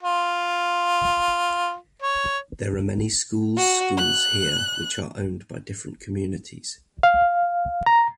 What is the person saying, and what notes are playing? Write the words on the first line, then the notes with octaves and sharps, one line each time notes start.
There are many schools schools here which are owned by different communities.
F4
C#5
F#4
F#6
F5
A#5